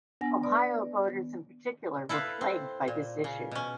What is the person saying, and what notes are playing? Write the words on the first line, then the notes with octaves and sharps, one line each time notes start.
Ohio voters, in particular, were plagued by this issue.
B3 D4 F#5 G#5 A#6
B4 D5
D#3 B3
E4 A4 B4 F5
C4
A#2
C#3
B2 C#4